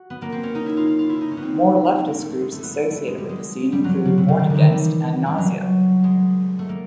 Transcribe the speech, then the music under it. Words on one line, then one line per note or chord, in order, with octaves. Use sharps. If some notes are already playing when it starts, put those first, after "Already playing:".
More leftist groups associated with the scene include Born Against and Nausea.
Already playing: F#4
B3
A#3
C4
C#4
D#4
E4
F4
F4
F4
E4
D#4
C#4
B3
C4
A#3
A3
A3
G#3
A3
B3
A3
A3
G#3
G3
G#3
G3
F3 F#3
C#3
C3
C#3
D#3
D3
D#3 E3
G3
G3
F#3
G#3
A3
A#3